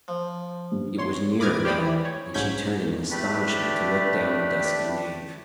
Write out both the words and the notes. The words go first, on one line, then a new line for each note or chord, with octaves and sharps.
It was nearer now; and she turned in astonishment to look down the dusky nave.
F3
G2
C#5 C6
B5 D6 D#6 F6 G#6 A#6
G4 C5 D5 B5 D#6
E3
C#5
B1 G#2 C#4 G6 G#6 B6
A3 D4 G4 B4 D5